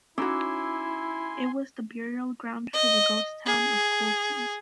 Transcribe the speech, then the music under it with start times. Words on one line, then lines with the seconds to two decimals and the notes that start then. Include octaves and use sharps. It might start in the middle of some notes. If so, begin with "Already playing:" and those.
It was the burial ground for the ghost town of Coulson.
0.18 C#4 D#4 E4 F#4 G#5 C6 D6 E6
2.73 D#5
3.46 G#4